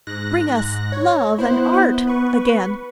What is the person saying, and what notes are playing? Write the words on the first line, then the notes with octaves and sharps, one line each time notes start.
Bring us love and art again!
G#2 F#6 A#6
C#5
B3 E4 C5 F#6
B4 C#6